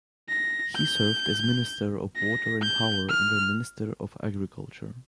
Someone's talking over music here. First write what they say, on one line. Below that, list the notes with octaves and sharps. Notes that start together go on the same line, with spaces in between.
He served as minister of water and power and then minister of agriculture.
A#6
G6
A#6
G6
F6